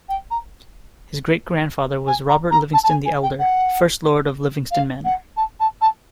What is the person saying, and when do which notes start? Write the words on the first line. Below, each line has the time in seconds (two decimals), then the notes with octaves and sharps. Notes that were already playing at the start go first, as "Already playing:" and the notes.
His great-grandfather was Robert Livingston the Elder, first lord of Livingston Manor.
0.09 G5
0.31 A#5
2.07 G#5
2.29 A#5
2.51 A#5
2.74 A5
2.84 A5
2.90 G#5
3.06 G#5
3.23 G5
3.39 F#5
4.71 F5
5.05 F#5
5.37 A5
5.60 A5
5.81 A5